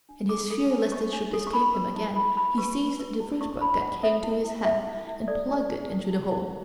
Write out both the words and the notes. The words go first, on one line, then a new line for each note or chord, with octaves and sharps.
In his fear lest it should escape him again, he seized the first book that came to his hand and plugged it into the hole.
D4
A4 D6
A4
D4
C#5 C#6
D4
A4
C#6
E4 B5
B4
E4
E4 B5
E4 B5
B4 C#6
B4
B4
E4
E4 C#6
E4 B5
E4 F#5
A4 E5
E4
E4
E4 E5
E4
E4
A4 D5
E4
E4
E4
E4
E4